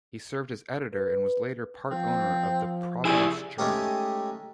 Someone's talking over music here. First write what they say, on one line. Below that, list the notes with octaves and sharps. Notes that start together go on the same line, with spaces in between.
He served as editor and was later part owner of the "Providence Journal".
B4
F3 C4
E4 G4 G#4 D5
G#3 A3 C#4 D#4 G4